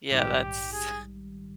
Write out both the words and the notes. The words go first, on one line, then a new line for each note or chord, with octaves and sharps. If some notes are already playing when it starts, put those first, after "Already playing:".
Yeah, that's
A#1 G#2 D#3 G3 G4
G4
G#4